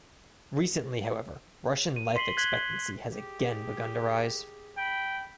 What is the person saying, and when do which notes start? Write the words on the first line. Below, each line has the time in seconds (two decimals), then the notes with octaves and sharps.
Recently however, Russian life expectancy has again begun to rise.
1.96 D#7
2.16 C6 B6 C7 F#7 G7
2.37 F#6 G#6 B6 F#7 G7
3.10 G4 G#4
4.77 G5 B5